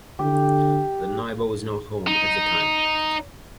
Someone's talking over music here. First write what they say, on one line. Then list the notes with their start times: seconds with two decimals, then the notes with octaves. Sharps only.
The neighbor was not home at the time.
0.19 D3 G4
2.07 D#4